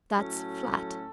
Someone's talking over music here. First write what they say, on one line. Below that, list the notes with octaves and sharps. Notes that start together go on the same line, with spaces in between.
That's flat.
A2 F#3 C#4 A4